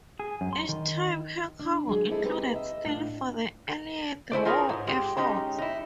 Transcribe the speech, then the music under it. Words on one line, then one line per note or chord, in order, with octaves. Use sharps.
Each time her cargo included steel for the Allied war effort.
G#4
F#2
C6
D#3
D4
F#3 G#3 G#4
A#3 C4 D#4 E4 G#4 A4
C4 D#4 G4 B4 C5 A#5
D#5 E5
A2 D4 F4
A3 E4 C5 D5
D#4 F4 G#4 A#4 B4 C#5
G#2
G#3 G4
G#3 C#4 D#4 G4
D#4 E4